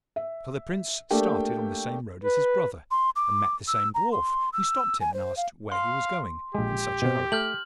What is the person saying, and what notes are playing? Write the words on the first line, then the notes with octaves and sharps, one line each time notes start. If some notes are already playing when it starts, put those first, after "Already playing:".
So the Prince started on the same road as his brother, and met the same Dwarf, who stopped him and asked where he was going in such a hurry.
E5
A3 A#3 D4 G4 G5
B4
C6
D6
E6
A#5
C6
E6
G#5
C5
F5
F5 C6
A#1 G#3 G4
B2 C4
A3 F6 G6 F#7